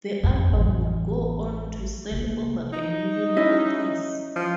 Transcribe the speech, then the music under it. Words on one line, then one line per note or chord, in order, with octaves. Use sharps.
The album would go on to sell over a million copies.
F2
A1 E3
C3 A#3
D#4
C#4 E4 D#5
F3